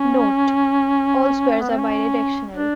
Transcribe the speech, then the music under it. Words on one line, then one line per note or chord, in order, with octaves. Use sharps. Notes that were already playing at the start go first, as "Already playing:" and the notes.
Note: All squares are bidirectional.
Already playing: C#4
B3
C4
C#4
D4